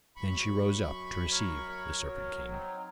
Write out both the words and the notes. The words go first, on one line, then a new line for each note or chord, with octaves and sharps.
Then she rose up to receive the Serpent King.
F#2 B5 C#6
A#4 C#5
F#3
C4 D#4